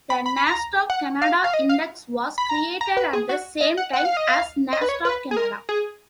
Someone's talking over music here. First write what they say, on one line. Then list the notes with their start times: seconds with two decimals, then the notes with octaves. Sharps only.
The Nasdaq Canada Index was created at the same time as Nasdaq Canada.
0.10 B5
0.26 B5
0.36 B5
0.47 A#5
0.90 F#5
1.22 F5
1.44 F5
1.54 D#5
1.69 F5
2.38 B5
2.49 A#5
2.81 A#5
2.97 B4
3.13 G#4
3.29 F#4
3.61 D#5
3.77 F#5
3.93 F#5
4.05 F5
4.17 D#5
4.28 F5
4.73 D#5
4.81 B4
4.89 C#5
5.05 B4
5.31 G#4
5.37 A#4
5.69 G#4